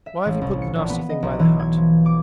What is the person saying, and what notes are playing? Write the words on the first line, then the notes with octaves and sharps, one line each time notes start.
Why have you put the nasty thing by the hut?'
E5
A1
C2
C#7
A#1
B3
D#5
B1
E3
G#6
F3
D6